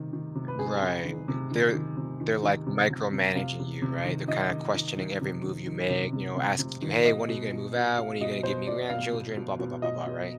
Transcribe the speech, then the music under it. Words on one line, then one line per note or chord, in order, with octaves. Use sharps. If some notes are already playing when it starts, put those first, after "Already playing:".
Right. They're they're, like, micromanaging you, right? They're kinda questioning every move you make, you know, asking you, "Hey, when are you gonna move out? When are you gonna give me grandchildren?" Blah blah blah blah blah, right?
Already playing: C3 D#3
D#3
C3
B4
C3 G#4
C3
D#3
C3
D#3
D#3
C3
D#3
D#3
C3
C3
C3
C3 F5
C3
C3
D#3
D#3 D#5
D#3
D#3
D#3
C3
D#3
D#3
C3
C3
C3
C3
D#3
B2 D#5
B2
B2
B2
B2 F5
B2 D#5
B2 C5
B2 D5
B2 F5
B2
B2
B2
B2 D#5
B2